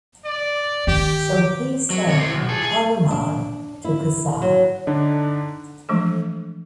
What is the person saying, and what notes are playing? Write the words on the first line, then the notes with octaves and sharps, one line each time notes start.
So he sent Hanuman to Kasi.
D5
D#3 G4
F#3
C3 C#5
E4 C5
B1
G#4 A4
G#4
D4
E4
F#3
D3 D4 D#4
E3 F3 G#3 A3 D4 A4